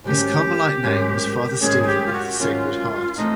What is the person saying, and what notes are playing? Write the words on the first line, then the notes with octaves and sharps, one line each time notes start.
His Carmelite name was Father Stephen of the Sacred Heart.
G#2 D#3 F#3 A#3 C#4 G4
G#2 D#3 F#3 A#3 C#4
G#2 D#3 F#3 A#3 C#4 G#4
G#4
G4
F4
F#4
G#2 D#3 F#3 A#3 C#4 F4
E3 A3 C4 D#4